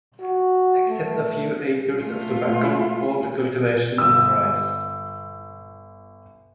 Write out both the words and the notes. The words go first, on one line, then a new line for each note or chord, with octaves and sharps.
Except a few acres of tobacco, all the cultivation is rice.
F#4
A3
A3 F4
G1 D#6 E6